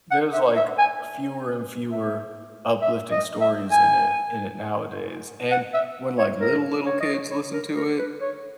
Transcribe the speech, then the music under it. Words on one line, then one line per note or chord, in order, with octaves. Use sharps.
there's, like, fewer and fewer uplifting stories in it in it nowadays, and when, like, little little kids listen to it,
F#5
E5
E5
G#5
E5
E5
D#5
E5
G#5
F#5
E5
C#5
A#4
C#5
D#5
C#5
C#5
A#4
A#4
B4
C#5